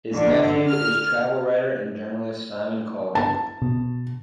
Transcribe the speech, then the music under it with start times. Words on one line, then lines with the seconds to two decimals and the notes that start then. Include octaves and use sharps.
His nephew is travel writer and journalist Simon Calder.
0.13 D3
0.69 F6
3.15 A5
3.62 B2